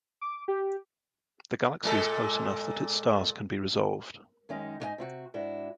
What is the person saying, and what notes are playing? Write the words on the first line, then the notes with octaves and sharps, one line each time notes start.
The galaxy is close enough that its stars can be resolved.
D6
G4
A#2 G#3 A4
F#2 D#3 G#3 C#4 D#4
G#2 B3 D#4 B4 D#5 G#5
C3 C4 F#4
G#2 D4 E4 F#4